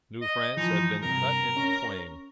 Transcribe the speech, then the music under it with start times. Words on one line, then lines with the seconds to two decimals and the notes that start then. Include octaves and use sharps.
New France had been cut in twain.
0.22 D#5
0.57 E3 F3 D#4
1.02 G2 C3 A#4
1.56 C#4